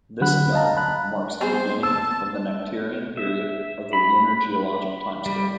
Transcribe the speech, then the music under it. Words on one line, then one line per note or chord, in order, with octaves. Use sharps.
This event marks the beginning of Nectarian period of the lunar geologic timescale.
D3 F#3 F#5 B5 F#6
D#5 F5 A5 A#5
A5 B5 F#6
B3 C4 G#4 C5
A5 E6
E5
B5
G3